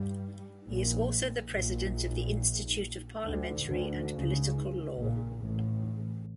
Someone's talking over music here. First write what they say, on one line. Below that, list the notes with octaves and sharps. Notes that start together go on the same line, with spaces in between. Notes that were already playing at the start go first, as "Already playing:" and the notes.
He is also the President of the Institute of Parliamentary and Political Law.
Already playing: G2 G3
A#1 A#2
A#1 A#2
D2 D3
D2 D3
C#2 C#3
A#1 A#2
A1 A2